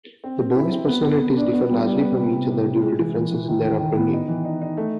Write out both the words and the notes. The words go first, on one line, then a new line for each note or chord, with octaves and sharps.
The boys' personalities differ largely from each other due to differences in their upbringing.
C4
C4
E4
C4
B3
B3
B3
D4
B3
G3
G3
B3
C3
C3
C3
C3
G#3
E3
E3
E3
D#3
D#3
D#3
B3
D#4
E3
D#4
D#4
A3